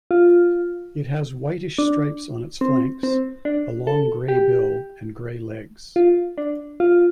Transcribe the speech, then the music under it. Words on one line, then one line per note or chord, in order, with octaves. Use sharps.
It has whitish stripes on its flanks, a long grey bill and grey legs.
F4
D4
C4
C4
D4
A4
G4
F4
D4
F4